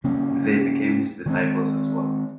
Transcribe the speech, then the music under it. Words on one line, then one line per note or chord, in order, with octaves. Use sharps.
They became his disciples as well.
C#3 G3 A#3 C#4
D#3 G#3 C4